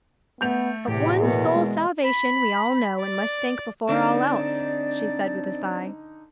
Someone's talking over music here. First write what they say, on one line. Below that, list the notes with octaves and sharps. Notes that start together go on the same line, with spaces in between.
"Of one's soul's salvation we all know and must think before all else," she said with a sigh.
A3 B3 G6 F7
E2 A2 C3 G4
B2 E3 A#3 B3
G#3
B5
D5
D3 C4 D4 D#4 D5